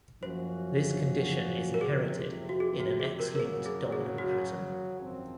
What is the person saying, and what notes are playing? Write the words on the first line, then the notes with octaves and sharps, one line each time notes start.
This condition is inherited in an X-linked dominant pattern.
F#2 F3 A#3 C#4 F#4 C5
A#4
F#1 F2 C3 F3 G#4
F#4
G#4
F#4
G#4
A#4
A#4
F#2 C#3 F#3 G#4
G#4
G#4
F#4
G#1 F#2 F3 C4